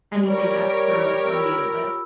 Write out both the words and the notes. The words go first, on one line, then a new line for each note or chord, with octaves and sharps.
anything external from you, but,
G3 G4 A#4 C#5
F4 B5 E6